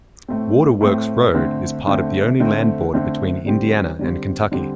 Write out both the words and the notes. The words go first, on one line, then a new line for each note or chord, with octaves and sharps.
Waterworks Road is part of the only land border between Indiana and Kentucky.
A2 A3 C4
A2 A3 C4
D3 A3 C4
D3 A3 C4
D3 A3 C4
D3 A3 C4
D3 G3 C4
D3 G3 C4
D3 G3 C4